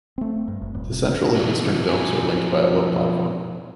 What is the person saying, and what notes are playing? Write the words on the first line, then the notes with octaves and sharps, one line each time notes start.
The central and eastern domes are linked by a low platform.
A3 C4
G2
G#1
D#1
C3
B2 D3 E3 G#3 D4 E4
B2 F3 F#3 E4 F#4 G#5